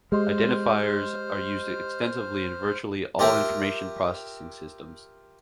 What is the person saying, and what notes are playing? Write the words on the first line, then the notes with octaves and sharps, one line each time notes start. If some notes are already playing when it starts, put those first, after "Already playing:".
Identifiers are used extensively in virtually all information processing systems.
G#3 G4 C5 D#5 C6 F6
F4 G4 A#4 E5 G5